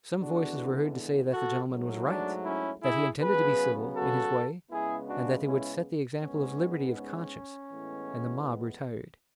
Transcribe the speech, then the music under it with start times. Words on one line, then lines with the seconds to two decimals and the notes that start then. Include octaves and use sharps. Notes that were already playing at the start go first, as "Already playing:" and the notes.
Some voices were heard to say that the gentleman was right; that he intended to be civil, in his way, and that they would set the example of liberty of conscience,--and the mob retired.
0.20 E2 D3 G#3 B3 D4 F#4
1.33 F#4 A4
1.71 G#2 F#3 A3
2.08 D4
2.45 C#4 E4
2.83 E4 G#4
3.21 C#3 F#3 B3 G#4 B4
3.96 F#4 A4
4.71 C#3 G#3 B3 E4 G#4
5.09 D4 F#4
5.46 C#4 E4
6.22 G#2 G#3 B3 C#4
6.97 C#4
7.72 A2 E3 G#3 B3